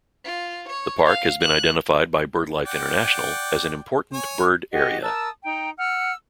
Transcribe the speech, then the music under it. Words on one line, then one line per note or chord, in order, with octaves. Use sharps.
The park has been identified by BirdLife International as an Important Bird Area.
F4
C#5
F5
F#6
D5 F#5 G5
C#5 G#5
F#4 G4 D#5
A#4 A5 D#6 E6
D#4 G5 A#5
F#5 E6 F6